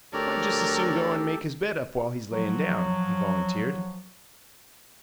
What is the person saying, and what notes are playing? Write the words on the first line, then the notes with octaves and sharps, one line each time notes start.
"I just as soon go and make his bed up while he's layin' down," he volunteered.
D2 G4 A4 A#4 C#5 D5
F3 F#3